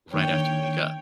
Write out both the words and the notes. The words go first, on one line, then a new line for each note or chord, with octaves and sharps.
right after you wake up,
D#3 A#3 D4 C#5 G5